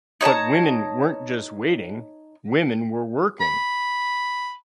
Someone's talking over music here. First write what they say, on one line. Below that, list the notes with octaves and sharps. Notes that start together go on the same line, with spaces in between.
But women weren't just waiting; women were working.
D#4 C#5 A5 A#5
B5